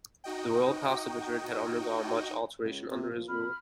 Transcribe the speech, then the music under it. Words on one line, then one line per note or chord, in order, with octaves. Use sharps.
The Royal Palace of Madrid had undergone much alteration under his rule.
D#4 F#4 D#5 G5
C#2
C3
F3
F2 B5 F6